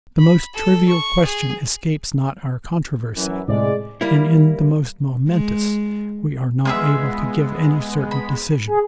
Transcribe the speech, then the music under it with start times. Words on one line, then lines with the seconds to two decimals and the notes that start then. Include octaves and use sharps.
The most trivial question escapes not our controversy, and in the most momentous we are not able to give any certain decision.
0.19 B5
0.54 A4
0.88 C#6
1.24 G#4
3.16 F#2 E3
3.48 A2 C3 G#3 D5
4.01 G3 A#3 E4
5.29 G#3
6.65 G#3 B3 F4 G#4 E5
8.11 B5
8.67 G#4